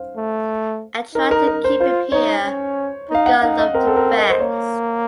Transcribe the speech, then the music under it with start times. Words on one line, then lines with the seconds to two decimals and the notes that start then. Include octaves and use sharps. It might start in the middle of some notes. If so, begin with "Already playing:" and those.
I tried to keep him here but God loved him best.
Already playing: C5 F5
0.17 A3
1.15 D#4 A#4
1.31 A#4
1.47 A#4
1.64 C5
1.80 F4 C5
2.12 D#4 C#5
2.45 C#4
3.10 D#4 F5
3.26 F#5
3.42 D#4 F5
3.59 D#5
3.75 C4 A#4
3.87 A4
3.97 A#4
4.18 D#5
4.30 C5
4.40 A#3 C#5